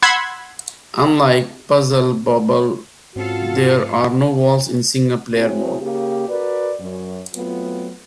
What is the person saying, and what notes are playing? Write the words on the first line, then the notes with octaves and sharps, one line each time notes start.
Unlike "Puzzle Bobble", there are no walls in single-player mode.
F#5 B5 C6 E6 G#6
G#2 C4 C#4 F4 F#4 A4 F5
C4 E4 F#4 G#4 C#5
C#3 A#3 G4
F#4 A#4 B4 D5
F#2
F#3 A3 B3 C4 F4